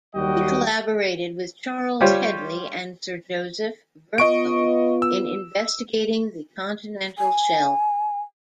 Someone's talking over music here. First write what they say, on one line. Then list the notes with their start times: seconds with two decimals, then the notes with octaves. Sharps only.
He collaborated with Charles Hedley and Sir Joseph Verco in investigating the continental shelf.
0.14 D#2 F#3 G3 F#4 D#5 G5
2.01 G3 F4 G4 C5 C#5
4.18 B3 F4 D#5 C#6 D7
5.02 E6
7.18 G#5